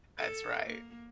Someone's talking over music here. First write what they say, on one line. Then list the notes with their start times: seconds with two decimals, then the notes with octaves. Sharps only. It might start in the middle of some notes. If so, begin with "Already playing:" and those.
That's right.
0.18 A4
0.66 A#3